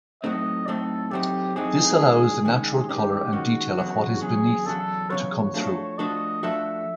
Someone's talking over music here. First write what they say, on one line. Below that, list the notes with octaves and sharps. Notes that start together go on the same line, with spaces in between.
This allows the natural color and detail of what is beneath to come through.
A2 F#3 A3 C4 D#4 D#5
A2 F#3 A3 C4 D#4 A4
A2 F#3 A3 C4 D#4 G4
A2 F#3 A3 C4 D#4 G#4
D#3 G#3 C#4
D#3 G#3 C#4 G#4
D#3 G#3 C#4 G4
D#3 G#3 C#4 F#4
E2 C#3 F#3
E2 C#3 F#3 G#4
E2 C#3 F#3 A4
E2 C#3 F#3 C#5
F3 A3 D4 F#4 A4
F3 A3 D4 F#4 A4 D#5
F3 A3 D4 F#4 A4 E5